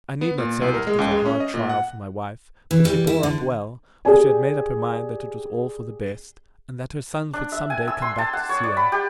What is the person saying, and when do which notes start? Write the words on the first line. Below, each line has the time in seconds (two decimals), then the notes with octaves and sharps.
I need not say that it was a hard trial for my wife; but she bore up well, for she had made up her mind that it was all for the best, and that her sons would some day come back to see her.
0.21 B3
0.38 A#2
0.62 C2
0.74 A#4
0.87 G#3
0.99 C#2
1.11 G#3
1.25 C#4
1.40 D#5
1.54 A#2
1.69 F#5
2.71 E3
2.85 G3
3.07 E4
3.23 D3
4.05 G4 G#4 D5 G#5
7.33 D4
7.52 E5
7.70 G#5
7.88 E6
8.02 C6
8.18 A5
8.33 F#5
8.49 C#5
8.64 D5
8.77 B5
8.92 G4